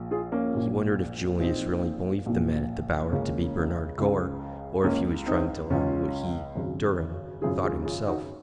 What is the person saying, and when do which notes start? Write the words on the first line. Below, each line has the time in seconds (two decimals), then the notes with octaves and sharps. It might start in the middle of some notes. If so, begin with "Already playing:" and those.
He wondered if Julius really believed the man at the Bower to be Bernard Gore, or if he was trying to learn what he--Durham--thought himself.
Already playing: A#1 A#2
0.11 F4 G#4
0.32 A#3 C#4
0.54 A#1 A#2
1.40 A#1 A#2 C4 D#4
2.26 A#1 A#2
3.12 C#2 C#3 A#3 C#4
3.98 C#2 C#3
4.83 C#2 C#3 A#3 C#4
5.26 C4 D#4
5.70 C#2 C#3 C#4 F4
6.56 G#1 F#2 C#3
7.41 G#1 F#2 C#3 F4 G#4
7.63 F4 G#4
7.85 F4 G#4
8.06 D#4 F#4